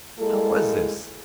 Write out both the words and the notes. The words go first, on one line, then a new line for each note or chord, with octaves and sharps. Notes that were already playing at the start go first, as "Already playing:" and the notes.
How was this?
G#3 A#3 E4 A4